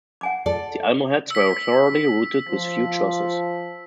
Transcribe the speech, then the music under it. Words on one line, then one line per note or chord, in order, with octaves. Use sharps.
The Almohads were thoroughly routed, with huge losses.
F#5 G#5 D6
A4 D5
E6 B6
F3